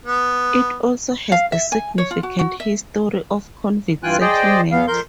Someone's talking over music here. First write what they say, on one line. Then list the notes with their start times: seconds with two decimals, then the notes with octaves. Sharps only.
It also has a significant history of convict settlement.
0.06 B3
1.32 F5
1.52 E5
1.72 G#5
1.98 C#5
2.11 F4
2.23 F#4
2.39 F#4
2.60 E5
4.03 G2 E3 F4 G5 G#5 F#6
4.21 G#4 C5 D5 D#5 G5
4.72 E2 E3 B3 F5
4.88 F2 A#4 C6 G6